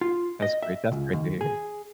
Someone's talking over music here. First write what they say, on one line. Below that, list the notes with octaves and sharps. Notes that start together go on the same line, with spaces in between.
That's great that's great to hear.
F4
D#5
E5
C#2
D#2
G#4